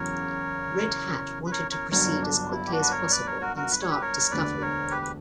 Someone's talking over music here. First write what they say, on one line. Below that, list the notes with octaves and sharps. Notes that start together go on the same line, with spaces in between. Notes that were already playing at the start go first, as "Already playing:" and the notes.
Red Hat wanted to proceed as quickly as possible and start discovery.
Already playing: E2 C#3 F#3 A#4 C#5
B4
A#4 C#5
A#4 C#5
G1 G2 F#3 A#4 C#5
D4
E4
G4
D4 F#4
B4
A#4 C#5
B4 D5
A#4 C#5
F#4 A#4
F#4 A#4
B4
C#5
G4 B4
A#4 C#5
E1 D2 D3 B4 D5
A#4 C#5
G4 B4
B4